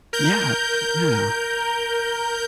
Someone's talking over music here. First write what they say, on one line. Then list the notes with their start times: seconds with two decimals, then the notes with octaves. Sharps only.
Yeah, yeah.
0.13 A#4 G6